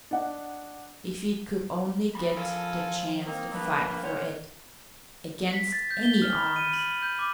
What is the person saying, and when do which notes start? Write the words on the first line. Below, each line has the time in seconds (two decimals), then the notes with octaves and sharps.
If he could only get the chance to fight for it--against ANY odds!
0.11 D4 D#5 F#5
2.15 F3 B5
2.36 F4 A4 A#4 G#5
3.26 A#3 C4 D#4
3.54 F3 D4 B4
4.03 A#2 C5 C#5 F#5
5.53 B6
5.72 A6
5.91 G6
6.03 G7
6.22 F6
6.36 B5
6.56 D#7
6.73 F#7
7.02 G6
7.19 D6